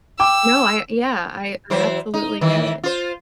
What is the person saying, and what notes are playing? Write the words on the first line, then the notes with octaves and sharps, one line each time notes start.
No, I a yeah, I I absolutely get it.
G5 D6 E6
E3 F#3 C5
D#4
D#3 E3
F4 C5